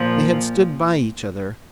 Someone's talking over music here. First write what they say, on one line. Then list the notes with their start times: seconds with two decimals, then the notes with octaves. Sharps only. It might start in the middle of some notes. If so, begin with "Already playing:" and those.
They had stood by each other.
Already playing: A#2 F3